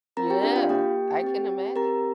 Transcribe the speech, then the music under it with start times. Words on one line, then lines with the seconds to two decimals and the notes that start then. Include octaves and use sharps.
Yeah, I can imagine.
0.17 C4 F4 A#4 A#5
0.30 G4 G5
0.43 D4 D5
0.56 F4 F5
0.69 A#3 G4 G5
1.23 C4 G4
1.76 C4 G4 A#4 A#5